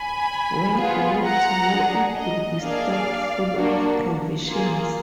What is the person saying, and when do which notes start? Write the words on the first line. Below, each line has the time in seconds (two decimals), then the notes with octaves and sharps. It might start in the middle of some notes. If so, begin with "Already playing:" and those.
When going to war it will be stocked full of provisions.
Already playing: G#5 B5
0.78 B3 F4 G#4
1.24 F#5 A#5
1.70 D4 G#4
2.16 D#5
2.62 A#3 D4 G#4 D5 F5
3.55 A#3 D4 F#4
4.48 A#3 F4 G#4